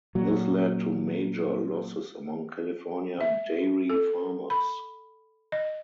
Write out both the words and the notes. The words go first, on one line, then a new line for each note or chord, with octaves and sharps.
This led to major losses among California dairy farmers.
A#2 F#3
E5
A4
B5
D#5